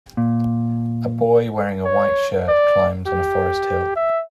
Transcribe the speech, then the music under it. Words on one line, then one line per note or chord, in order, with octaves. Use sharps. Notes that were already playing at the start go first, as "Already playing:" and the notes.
A boy wearing a white shirt climbs on a forest hill.
A#2
C#5
D5
G4
E5